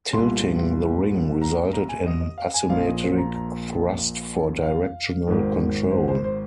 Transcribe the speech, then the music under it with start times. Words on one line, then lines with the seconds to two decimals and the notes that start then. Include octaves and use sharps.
Tilting the ring resulted in asymmetric thrust for directional control.
0.13 C2 A#2 C6
1.42 A#5
1.73 A#5
1.89 G#5
2.06 D#5
2.21 D#5
2.38 F5
2.54 G#5
2.69 A#1 A#2 F5
2.86 D#5
3.02 C5
3.18 A#5
3.35 A#5
4.63 F5
5.27 G#1 G#2 D#3
5.91 C5
6.08 C5
6.24 C5